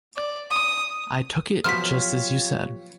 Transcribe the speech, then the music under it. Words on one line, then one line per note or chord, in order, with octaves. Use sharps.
I took it just as you said.
D5
D#6
F3 F#3 B3 F4 G4 C#5 F6 B6